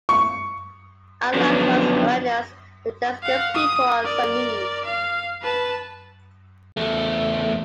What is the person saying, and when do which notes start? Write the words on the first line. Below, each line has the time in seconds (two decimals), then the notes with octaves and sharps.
Unlike most Iranians, the Dezgan people are Sunni.
0.09 C#6
1.34 D3 F3 F#3 B3 C#4
3.23 F5 F#5
3.55 D#6
4.02 A#4 D5
4.85 F5
5.42 B4 A5
6.77 E2 A3